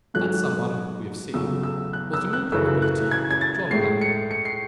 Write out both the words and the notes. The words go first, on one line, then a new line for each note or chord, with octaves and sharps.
That some one, we have seen, was, in all probability, John Blackmore.
G#2 F#3 A3 F#6
E2 C#3 F#3 A3 E6
E6
F#6
E6
F#6
F#2 C#3 E3 A3 E6
F#6
G#6
G#6
A6
A2 G#3 C7
C#7
C#7
C7